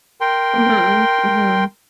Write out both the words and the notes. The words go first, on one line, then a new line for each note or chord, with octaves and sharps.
Mhm, mhm.
A#4 G5 C6